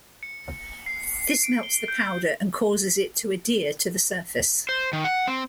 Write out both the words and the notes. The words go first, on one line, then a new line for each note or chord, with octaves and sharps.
This melts the powder and causes it to adhere to the surface.
C#7
C7
D7
G7
G6
C5
D#3
F#5
C4